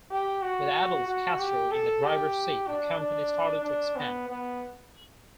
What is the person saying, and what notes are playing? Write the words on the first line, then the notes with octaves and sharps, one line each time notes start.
With Adolph Kastor in the driver's seat, the company started to expand.
G4
F#4
F#4
G4
A4
G4
D4
D4
D4
B3
B3